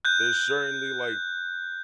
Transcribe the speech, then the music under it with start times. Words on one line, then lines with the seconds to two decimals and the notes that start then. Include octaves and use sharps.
there's certainly, like,
0.05 F#6 G6